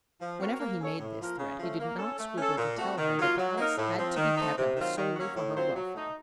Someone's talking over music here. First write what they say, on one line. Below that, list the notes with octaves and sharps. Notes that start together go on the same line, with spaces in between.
Whenever he made this threat he did not scruple to tell her that the house had to be kept up solely for her welfare.
F3
C4 F#4 A#4 C#5
A#3
C#4 A4 C#5
A2
F3 A#3 F4 A#4
C#3
F3 A3 C#4
A#3
C#4 A4
A3
C#4 A4
A#2
A3 C4 F#4
D#3
F#3 A#3 F4
F#3
A#3 D#4 A#4
A2
F3 C4
D#3
A3 C4 D#4
C3
D#3 F#3 C4 F4
D#3
F#3 A#3 C#4 F#4
A2
F#3 C4 F4 C5
F#3
A3 D#4